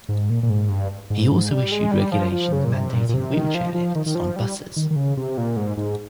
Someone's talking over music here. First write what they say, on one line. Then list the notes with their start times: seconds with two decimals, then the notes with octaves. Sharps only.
He also issued regulations mandating wheelchair lifts on buses.
0.09 G#2
0.30 A#2
0.43 A#2
0.50 G#2
0.69 G2
1.10 G#2
1.32 G#2
1.51 G3
1.72 G#3
1.91 G3
2.12 F3
2.32 F3
2.52 C#3
2.65 A#2
2.72 C3
2.93 A#2
3.09 A#2
3.14 C3
3.33 D#3
3.55 F3
3.74 F3
3.95 D#3
4.06 D#3
4.15 F3
4.36 G3
4.76 D#3
4.91 D#3
4.96 C#3
5.17 C3
5.38 A#2
5.57 G#2
5.77 G#2